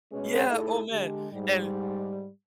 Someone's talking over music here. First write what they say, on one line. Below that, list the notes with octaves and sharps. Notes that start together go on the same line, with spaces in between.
Yeah, oh man, and
B2 G#3 C#4 G#4 B4 C#5
A2 A3 D#4 E4 G#4 A4
D3 G#3 G4
G#2 G3